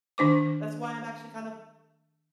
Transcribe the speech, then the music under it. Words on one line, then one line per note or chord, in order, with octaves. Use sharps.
That's why I'm actually kind of
D#3 D4 C5 D6